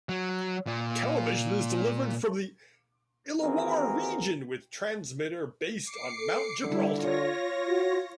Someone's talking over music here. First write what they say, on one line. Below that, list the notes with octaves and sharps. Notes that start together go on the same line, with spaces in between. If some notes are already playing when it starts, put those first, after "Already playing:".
Television is delivered from the Illawarra region with transmitter based on Mount Gibraltar.
F#3
A#2
D#2 E3 C4 F#4 G#4 A#4
D6 C7 C#7
A4
D3 G3 E4
F4 C#5 A#6
F#4